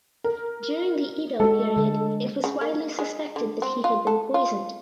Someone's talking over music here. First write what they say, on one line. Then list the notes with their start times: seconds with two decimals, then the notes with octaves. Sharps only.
During the Edo period it was widely suspected that he had been poisoned.
0.24 A#4
1.40 G#3 F#4 A4
1.76 D3 G#3
2.44 C#3
2.61 A#3
2.99 G#3
3.36 D3
3.62 C4
3.84 F4
4.07 A4
4.34 F4